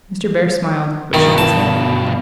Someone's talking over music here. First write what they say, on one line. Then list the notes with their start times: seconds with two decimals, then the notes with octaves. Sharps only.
Mr. Bhaer smiled, but shook his head.
1.14 G2 B2 D#3
1.38 A5